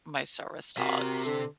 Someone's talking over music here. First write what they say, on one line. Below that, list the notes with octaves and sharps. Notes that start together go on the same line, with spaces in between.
my service dogs
C3 F#4 G4 A#4
D3 C4 A4